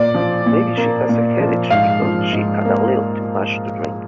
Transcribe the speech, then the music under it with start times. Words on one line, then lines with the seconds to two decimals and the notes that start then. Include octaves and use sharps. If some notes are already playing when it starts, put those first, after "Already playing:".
Maybe she has a headache because she had a little too much to drink.
Already playing: A#2 D5
0.14 F3
0.46 A#2
0.77 A#3
1.09 A#2
1.40 F3
1.70 G#2 F5
2.02 F3
2.33 G#2
2.65 A#3